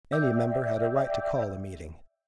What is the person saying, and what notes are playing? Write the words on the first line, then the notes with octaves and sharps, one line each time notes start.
Any member had a right to call a meeting.
D5 E5 G5